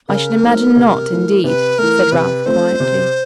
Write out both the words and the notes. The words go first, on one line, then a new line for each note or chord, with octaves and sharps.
'I should imagine not, indeed!' said Ralph, quietly.
C#3 A#4
F#3 A3 C4 D#4
C3
E3 A3
C3 B4
E3 A3 A#4
C3 B4
F3 A3 C4 C5
C3